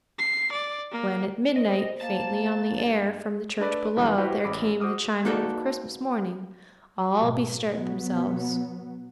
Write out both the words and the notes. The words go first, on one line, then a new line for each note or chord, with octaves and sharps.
When at midnight, faintly on the air from the church below, there came the chiming of Christmas morning, all bestirred themselves.
C7
D5
A#3
C5 D#5
A#3 A5 A6
G2
A3 D4 A4 B4 D5
C#2 G2 E3 F#3 G#3
E4 F#4 G4 B4 C5
A1 B5 D6
F#4 C5 D6 D#6 F6
A#3 D#4 F#4 A4 B4 D5
G#2 B2 F#3
B2 F#3 B3